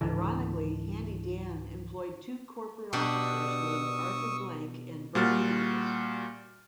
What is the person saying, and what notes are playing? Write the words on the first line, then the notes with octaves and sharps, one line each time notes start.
Ironically, Handy Dan employed two corporate officers named Arthur Blank and Bernie Marcus.
C#2 G#2 D3 E3
B2 D4 G4 C#6 D#6 E6
A#2 G3 F#4 F6 A6